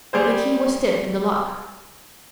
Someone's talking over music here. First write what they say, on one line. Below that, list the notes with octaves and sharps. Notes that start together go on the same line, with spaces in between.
The key was stiff in the lock.
G3 G#4 C5